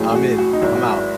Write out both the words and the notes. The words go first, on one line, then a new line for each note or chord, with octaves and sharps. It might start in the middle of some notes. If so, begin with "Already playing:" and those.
"I'm in. I'm out."
Already playing: A1 A2 F#3 G#4
G#4
F#4
F#4
D#4
G#1 G#2 F#3 E4
F#4
E4